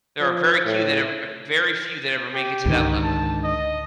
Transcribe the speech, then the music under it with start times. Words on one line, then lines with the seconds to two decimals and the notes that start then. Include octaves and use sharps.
There are very few cue that ever very few that ever make it to that level.
0.21 F3
0.65 A2
2.34 G4
2.66 C#2 G#2 D3 D#3 D4
3.03 A5
3.43 D#5